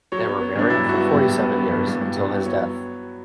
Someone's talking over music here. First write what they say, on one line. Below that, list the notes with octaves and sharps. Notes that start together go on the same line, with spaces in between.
They were married for forty-seven years, until his death.
F#3 C#5
B3
B3
G2 D4
F#3 E4
G2 F#4
B3
G4
G2
G2
B3
B3
G2
G2
G2
G2
B3
F#3 C#5